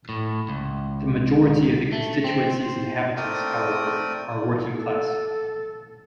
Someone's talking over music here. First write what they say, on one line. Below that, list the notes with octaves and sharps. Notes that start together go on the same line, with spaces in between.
The majority of the constituency's inhabitants, however, are working-class.
A2
C#2
A3
C4
C5
A3 C4 A#4 D5 G5 D#6
A4